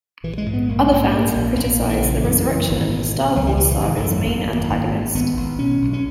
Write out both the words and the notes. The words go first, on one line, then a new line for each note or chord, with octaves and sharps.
Other fans have criticized the resurrection of the "Star Wars" saga's main antagonist.
A#1 E3
G#3
G#2
B3
A#1 A#3
G#3
G#2 A#3
A#2
A#1
A#1 A#3
A#1
D#3
C#3 E3
F#2
F#2
G#1
B2
B2
C#2 F#3
E3
B2 D#3
E3
G#1 E3
D#3
F#2
F#3
G#1 A#3
F#2
G#1
G#2
G#1 B3
G#1
B2 C#4
B1
C#4